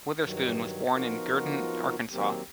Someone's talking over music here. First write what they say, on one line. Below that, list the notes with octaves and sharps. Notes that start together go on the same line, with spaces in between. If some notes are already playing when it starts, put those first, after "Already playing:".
Witherspoon was born in Gurdon, Arkansas.
G2 D#3 F#3
F3 B3 D#4 F4 F#4 A#4
D#3 F#3 A#3 C4 G4